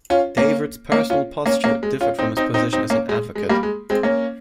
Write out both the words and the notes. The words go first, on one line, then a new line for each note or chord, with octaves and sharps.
Davis's personal posture differed from his position as an advocate.
C#4 F4
A#3 C#4
A#3 C#4
C#4 F4
A#3 C#4
A#3 C#4
G#3
C#4 F4
C4 D#4
C4 D#4
C4 D#4
C4 D#4
A#3 C#4
G#3
G#3
G3 A#3
G#3
G#3 C4
A#3 C#4